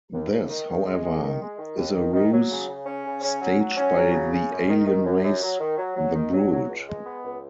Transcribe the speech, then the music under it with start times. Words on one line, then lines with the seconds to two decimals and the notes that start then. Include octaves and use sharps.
This, however, is a ruse staged by the alien race the Brood.
0.13 D#2
0.31 D#2
0.50 D#3
0.68 D#3
0.86 G#3
1.04 G#3
1.22 D#3
1.41 G#3
1.59 D#3
1.77 D#2
1.95 D#3
2.13 D#3
2.32 F#3
2.50 C#3
2.68 C#3
2.86 C#4
3.05 C#3
3.23 C#4
3.41 F#3
3.59 F#3
3.78 C#4
3.96 F#3
4.14 C#3
4.32 C#4
4.51 F#2
4.68 D#3
4.87 D#3
5.05 F#2
5.24 F#2
5.42 F#3
5.60 D#3
5.78 F#3
5.96 F#3
6.15 D#3
6.33 F#3
6.52 F#3
6.69 C#2
6.88 G#3
7.05 B3
7.24 C#2